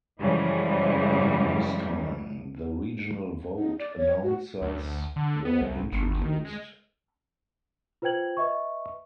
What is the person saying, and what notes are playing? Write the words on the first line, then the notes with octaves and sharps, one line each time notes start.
In this time, the regional vote announcers were introduced.
F#2 C#3 E3 F3 G3 G#3
D#4
D5
C#5
F#4
D2
D3
B3
C2
G1
D#3
G#3
F4 B4 C5 G5 G#6 F#7
B4 D#5 E5 C#6